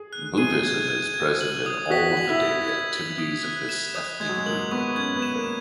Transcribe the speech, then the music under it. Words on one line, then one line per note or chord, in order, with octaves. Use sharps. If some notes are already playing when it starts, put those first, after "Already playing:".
Buddhism is present in all of the daily activities of this ethnic group.
Already playing: G#4
F#6
G#4 D#7
G#6
G#6
G#6
F#7
D#6
F#4 B6
F#7
E4
G#6
G#6
F#7
D#6
F#6
E7
D#6
G#3 G#6
F#3
G#3
A#3 F#7
B3 C#6
C#4 G#6
B3
E7
A#3